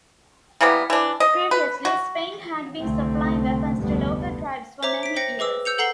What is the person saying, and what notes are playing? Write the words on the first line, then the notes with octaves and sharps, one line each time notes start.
Previously, Spain had been supplying weapons to local tribes for many years.
E3 G3 A#3 B3
E3 D4
D#5
B4
F#4
C2 D3 A3 C4
F1 D2 D3 G3 A3 B3
C5 C#5 E5 A#5 D6
B6 D7
C5 G5 A#6 C#7
G#4 B4 D6 E6
E6 G6 C#7 F7
A4 F#5 A#5 C7 G7